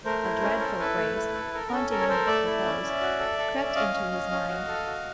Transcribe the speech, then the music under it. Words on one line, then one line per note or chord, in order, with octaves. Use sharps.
A dreadful phrase, haunting in its pathos, crept into his mind.
A3 A#4 C5
E4
C#4
A4
E4 A4 B4
A3
E4
A4
A4 A#4
A#4
C#4 A4
A4 A#4
C#5
A4 A#4 C5
A3 D5 E5
E4
C#4
C#4
F#4
A4
A4
C#4
C#4 D#5 F5
C#4
C#4
C#4
F#4
A4
F#4